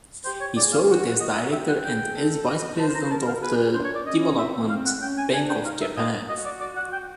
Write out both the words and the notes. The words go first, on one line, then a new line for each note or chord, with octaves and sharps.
He served as Director and as Vice President of the Development Bank of Japan.
G4 C5
C#5
G#4 D5
F5
F#4
F#4 D#5
E5
G4 E5
F#5
G#4 G5
A4
D#5
C5 A5
A#5
A#4 A5
F5
G#4 B4
D4 C5
C#5
D5
C#4 D#5
C4 E5
C4 F5
F#5
C#4 G5
G#5
D4 G#5
G5
D#4 F5
E5
D#5
F#4 D#5
D5
D5
F#5
G5